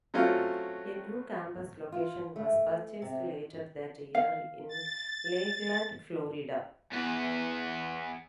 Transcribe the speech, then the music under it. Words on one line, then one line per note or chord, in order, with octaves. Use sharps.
A new campus location was purchased later that year in Lakeland, Florida.
F#3 A3 C4 C#4 F4
F4
A3
C3
F5
A6
E2 B3